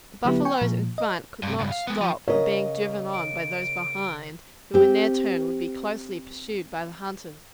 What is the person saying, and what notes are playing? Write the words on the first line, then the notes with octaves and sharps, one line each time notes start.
The buffaloes in front could not stop being driven on by those behind, who in their turn would be closely pursued by the hunters.
D3 F#3 B3 E4 G4 B4
G5 G#5 C#6
A#2 F3
D#5
G2 C3
C#2 G2
F5
G#3 B3
F3
C#3 A#4 C#5 D#5
D7
C4 G4